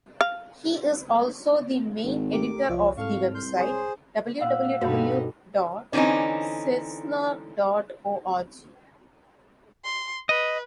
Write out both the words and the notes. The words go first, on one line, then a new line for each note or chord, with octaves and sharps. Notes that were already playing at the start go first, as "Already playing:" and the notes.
He is also the main editor of the website www dot cesnur dot org.
F5
G#1
A3 G4 A#4 D6
C2 F3 C#5
C2 G#2 A4 F5 C#6 F6
C6 G6
G#4 C5 C#5 C6
A#2 F5 F#5 E6
G2 B2 C4 D#4 F#4 A4 C#5 B5
D3 E3 C4 C#4 D#4
C6
B4 D#5